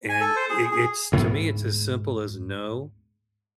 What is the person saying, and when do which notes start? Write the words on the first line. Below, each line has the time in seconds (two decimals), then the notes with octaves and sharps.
And it it's to me, it's as simple as no.
0.09 G#5
0.21 A4
0.36 C5
0.50 G#4
0.71 G#4
1.12 D2 G#2 B3